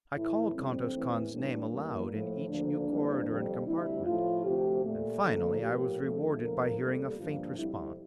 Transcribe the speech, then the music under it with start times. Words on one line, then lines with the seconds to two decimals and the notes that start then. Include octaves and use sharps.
I called Kantos Kan's name aloud in each new corridor and compartment, and finally I was rewarded by hearing a faint response.
0.14 A2 E3 A3 E4
0.54 F2 D3 G3 C4
0.93 E2 E3 A3
1.32 A2 E3 G3 A#3 D4
1.71 E2 E3 G3 A#3
2.10 A2 F3 A3
2.49 D2 D3 F3 A#3 D4
2.88 F2 E3 G3 A#3
3.27 F2 D3 G3
3.66 D2 C3 G3 E4
4.06 A2 F3 A3 F4
4.45 D2 C3 F3 A3 G4
4.84 A#2 A3
5.23 D2 D3 F3 A#3 A4
5.62 A2 F3 A#3 G4
6.01 F2 D3 F3 A3 A4
6.40 E2 D3 F3 A#3 A#4
6.79 E2 C3 G3 A#3 A4
7.18 G2 D3 F3 A#3 F4
7.57 F2 C3 G3 E4